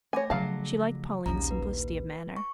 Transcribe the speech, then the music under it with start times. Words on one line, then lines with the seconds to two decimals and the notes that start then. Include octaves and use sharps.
She liked Pauline's simplicity of manner.
0.13 A3 C#5 G#5 D6 A#6
0.30 C#3 F3 F#3 F5 A5
1.26 A#1 D#2 C#4 A#5
1.51 B4
2.36 C#6